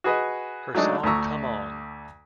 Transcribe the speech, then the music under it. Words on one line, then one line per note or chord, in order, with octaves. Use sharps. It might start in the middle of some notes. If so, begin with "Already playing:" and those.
Her song Come On!
F#4 G#4 B4 D#5
F#3 G#3 A3 D4 D#4
D2 A3 D4 A#5 C#6 E6